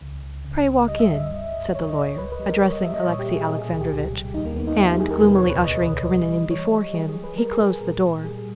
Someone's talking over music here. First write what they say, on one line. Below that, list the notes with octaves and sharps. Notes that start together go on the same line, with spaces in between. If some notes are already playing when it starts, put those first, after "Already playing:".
"Pray walk in," said the lawyer, addressing Alexey Alexandrovitch; and, gloomily ushering Karenin in before him, he closed the door.
C#2
C#2
C#3
C#2
G3 D#5
E5
G2 D#5
G2
G2
C#2 C#5
D#5
C#2
C#5
C#2 B4
B4
G3
A#4
G3 C#5
D#5
G3 E5
D#5
A#2 C#5
G4
A#2
G#4
B2 G#4
G#4
C#2 G#4
G4
C#2
G3
D#2 D#4
A#3
D#2 B3
D#4
G3 E4
G4
D#2 G#4
A#4
B2 B4
C#5
C#2
B4
B2 D#5
C#2
G3
G3
E3 C#5
G3
G3 G#4
G#4
G3
B4
G3 A#4
G#4
G#2
G#4
A#2
A#2
G3 G#4